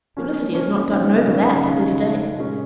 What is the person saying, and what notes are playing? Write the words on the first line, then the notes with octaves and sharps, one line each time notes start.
Felicity has not gotten over that to this day.
F3 A#3 C#4
F3 A#3 C#4
C#3 F#3 C4 D#4
C#3 F#3 C4 D#4
C#3 G#3 D#4
C#3 G#3 D#4
A#2 G#3 C#4